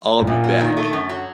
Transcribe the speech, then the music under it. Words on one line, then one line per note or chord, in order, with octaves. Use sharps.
I'll be back.
A2
F#2 A#2
F#3
D#3
A3
F#2
F#3